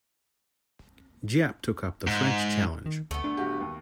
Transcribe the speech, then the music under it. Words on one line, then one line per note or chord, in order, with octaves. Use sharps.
Giap took up the French challenge.
G#2
D#3
D2 A3 B3
D2 D4
D1 F#4 G4
D#2